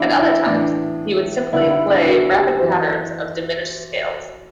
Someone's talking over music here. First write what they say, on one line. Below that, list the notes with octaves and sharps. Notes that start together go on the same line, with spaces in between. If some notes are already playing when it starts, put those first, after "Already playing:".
At other times, he would simply play rapid patterns of diminished-scales.
Already playing: E3 D4 E4
E4
A2 E3 D4
G2 D3 E4
E4
D4
F#4
G4
F#2 E3 C5